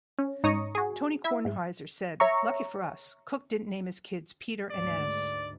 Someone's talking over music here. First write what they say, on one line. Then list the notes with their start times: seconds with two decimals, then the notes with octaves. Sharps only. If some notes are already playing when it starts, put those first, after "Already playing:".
Tony Kornheiser said Lucky for us, Cooke didn't name his kids Peter and Ennis.
0.19 C#4
0.44 G#2 D#4 C#5 A#5 C#6 D#6
0.75 F#4 G#4
1.24 E4 E5
1.45 G#2
2.20 C#5 E5 A#5 C#6
4.71 D2 G#2 D5